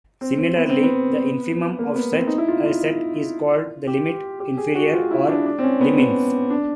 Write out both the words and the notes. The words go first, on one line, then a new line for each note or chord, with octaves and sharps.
Similarly, the infimum of such a set is called the limit inferior, or liminf.
C4
C4
B3
C4
B3
A#3
B3
C4
D#4
E4
F4
F4
G4
G4
G#4
F#4
F4
E4
D4
D4
C4
C#4
B3
B3
D4